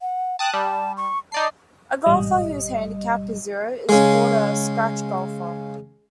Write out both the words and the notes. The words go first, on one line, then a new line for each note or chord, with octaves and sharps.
A golfer whose handicap is zero is called a scratch golfer.
F#5
G5 A5 D#6 F#6
G3 A5
C#6
D#4 D5 A5 C7
A1 G#2 B2 G3 D#5
C#3 G#3